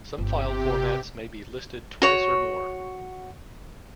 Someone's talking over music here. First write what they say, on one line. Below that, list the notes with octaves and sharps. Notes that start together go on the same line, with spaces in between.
Some file formats may be listed twice or more.
G1 C3 G4
F#4 C#5